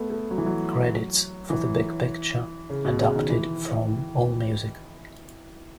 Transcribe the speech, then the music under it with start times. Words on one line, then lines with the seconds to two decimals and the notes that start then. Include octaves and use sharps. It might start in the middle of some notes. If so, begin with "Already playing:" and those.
Credits for "The Big Picture" adapted from Allmusic.
Already playing: A3 B3
0.10 A3
0.31 F#3
0.38 E3
0.46 F#3
1.50 E3
2.70 C#3
2.85 B2
3.00 C#3
3.15 D#3
3.30 E3